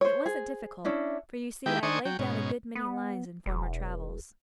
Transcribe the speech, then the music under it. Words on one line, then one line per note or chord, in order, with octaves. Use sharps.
'It wasn't difficult, for you see I had laid down a good many lines in former travels.
C5 C#5
G#4
C#4 D4 E4
D#3 G#3 E4 G4 G5
D#3 D4 C5 G#5 C#6 D#6
F#3 G5
G#2 B2 C#4
B3
E1